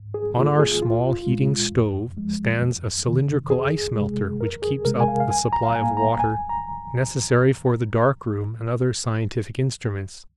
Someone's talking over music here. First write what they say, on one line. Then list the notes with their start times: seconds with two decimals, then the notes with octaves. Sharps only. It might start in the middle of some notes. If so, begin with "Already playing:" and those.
On our small heating stove stands a cylindrical ice melter which keeps up the supply of water necessary for the dark room and other scientific instruments.
Already playing: G#2
0.14 G#4
0.37 D#3 A#3 F4
0.59 G#4
0.82 C2 F4
1.26 A#2 G#3
1.72 F2
2.17 F3 G#3
2.61 F2
3.06 C3 D#3
3.50 F2 G#4
3.95 C3 G#3
4.40 F2 A#4
4.62 G#4
4.85 C3 G#3 A#4
5.00 G#5
5.08 F5
5.20 F5
5.30 C2 G#5
5.53 A#5
5.63 F5
5.75 A#2 G#5
5.79 A#3
5.97 A#5
6.20 C2 G#5
6.49 A#5